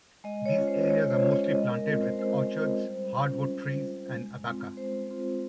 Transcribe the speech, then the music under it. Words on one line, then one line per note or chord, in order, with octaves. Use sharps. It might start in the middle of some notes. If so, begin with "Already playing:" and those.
These areas are mostly planted with orchards, hard wood trees and abaca.
G#3 D#5
C#5
C#4 F4
C5
G#3 C#5
C5
C#4 F4
C#5
G#3 D#5
A#4
C4 F4
C5
G#3 C5
C4 F4
G3
C#4 F4
G3
C#4 F4
G#3
C4 F4
G#3 C5
C4 F4